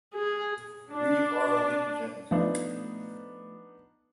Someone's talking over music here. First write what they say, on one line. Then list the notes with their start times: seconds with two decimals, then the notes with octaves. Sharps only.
We are Legion!
0.15 G#4
0.91 D4
2.31 F3 A3 B3 D4 D#4